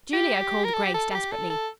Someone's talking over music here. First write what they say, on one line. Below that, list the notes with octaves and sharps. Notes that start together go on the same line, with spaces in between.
"Julia," called Grace desperately.
G4
A#4
A4
G4
A4
A4
G4
A4
A4